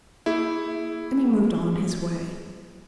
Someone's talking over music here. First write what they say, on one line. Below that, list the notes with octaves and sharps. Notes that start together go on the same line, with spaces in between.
And he moved on his way.
A#3 E4 G#4